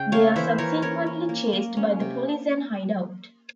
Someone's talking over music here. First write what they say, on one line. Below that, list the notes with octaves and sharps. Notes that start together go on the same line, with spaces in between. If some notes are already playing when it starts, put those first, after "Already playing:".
They are subsequently chased by the police and hide out.
Already playing: C#3 G5
A#3 C#5 F5
E3 C5 E5
E3 A#4 C#5
C#4 A#4 C#5
C#4
A#3
A#3
C#4
C3